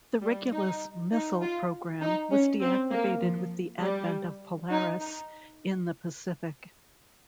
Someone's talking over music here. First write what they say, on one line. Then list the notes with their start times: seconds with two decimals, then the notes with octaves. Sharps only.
The Regulus missile program was deactivated with the advent of Polaris in the Pacific.
0.22 G3
0.52 D#4
1.12 D#4
1.41 F4
2.01 D#4
2.31 C#4
2.61 C4
2.91 A#3
3.21 F3
3.81 G3
4.71 D#4
5.01 D#4